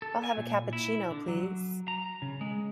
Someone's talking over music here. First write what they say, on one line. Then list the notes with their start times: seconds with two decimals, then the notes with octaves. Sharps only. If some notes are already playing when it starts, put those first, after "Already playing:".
I'll have a cappuccino please.
0.02 A4
0.24 G#5
0.37 A#2
0.73 E4
1.11 D3
1.28 F#3
1.88 A#5
2.22 C#3
2.41 G#3